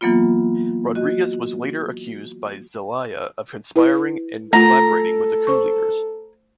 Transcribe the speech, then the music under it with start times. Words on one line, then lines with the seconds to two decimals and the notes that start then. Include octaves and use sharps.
Rodriguez was later accused by Zelaya of conspiring and collaborating with the coup leaders.
0.01 E3 F#3 A#3 B3 F4
0.95 F#4 D#5
3.76 E4 B4
4.53 A3 F4 A4 A#5
5.47 C5 C#6